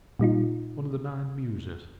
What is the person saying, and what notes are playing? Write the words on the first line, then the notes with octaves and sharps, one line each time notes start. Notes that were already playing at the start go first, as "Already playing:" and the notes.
One of the nine Muses.
A#2 G3 D#4 F4